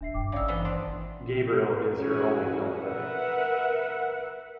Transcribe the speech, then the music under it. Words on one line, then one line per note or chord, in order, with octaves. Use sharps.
"Gabriel" is her only film credit.
E1 D4 E5 C7
G2 G5 D6
G#1 C#3 D#4 D5 E6
D#3 E3 B3 C5 G7
D4 C6
C#4 E4 F#4 G#4
A#4 B4 E5 F#5